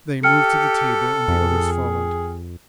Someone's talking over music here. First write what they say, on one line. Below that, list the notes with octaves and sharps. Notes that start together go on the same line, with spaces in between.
They moved to the table and the others followed.
G4 A4 G5 F6 C#7
F2 G#4